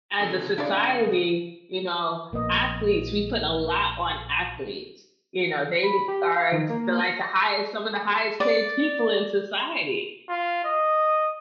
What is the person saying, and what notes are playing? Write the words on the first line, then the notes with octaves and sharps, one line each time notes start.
as a society, you know, athletes we put a lot on athletes, you know, they are, s like, the highest some of the highest paid people in society,
C3 D#3 E3 A4
C#3 D4 E4 D5 F5
A#1 A#3 B3 D#5
B5
G4
F5
D#3
A#3
A#6
D5
F4
D#5